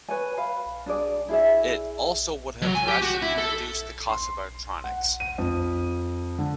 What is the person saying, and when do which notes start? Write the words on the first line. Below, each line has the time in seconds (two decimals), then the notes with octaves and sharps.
It also would have drastically reduced the cost of electronics.
0.09 B4 C#5 G#5
0.38 F5 B5
0.86 D4 G#4 D5
1.29 E4 G#4 E5
2.62 F#3
2.75 G#5
2.88 G4
3.02 F#4
3.22 E4
3.38 A4
4.09 C6
4.84 F#5
5.20 D#7
5.38 F2
6.38 D3